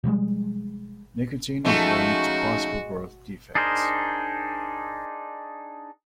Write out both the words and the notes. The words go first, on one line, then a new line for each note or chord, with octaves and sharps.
Nicotine is linked to possible birth defects.
B2 F3 G3 G#3
F3 G#3 A3 C#4 D#4 F#4
D4 D#4 G#4 A#4 C5